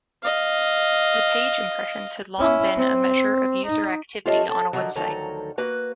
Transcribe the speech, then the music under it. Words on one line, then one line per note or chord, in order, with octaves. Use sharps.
The page impression has long been a measure of user activity on a website.
D#5 F5
C#4 E4
C4
D#4
F4 G4 A4 C#5 D#5 E5
A4
D3 D#3 F3 F#3
D2 D#3 F3 F#3 A4 A#5
A#3 F#4 B4